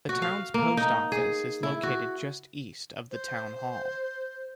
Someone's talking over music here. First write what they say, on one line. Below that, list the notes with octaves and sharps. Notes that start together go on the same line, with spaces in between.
The town's post office is located just east of the town hall.
F#4
F5
A#3
D#4
G#4
E4
F#4
C5